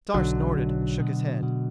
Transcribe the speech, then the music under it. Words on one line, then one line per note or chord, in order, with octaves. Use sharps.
Star snorted and shook his head.
B1 D3 F#3
B1
B2
B2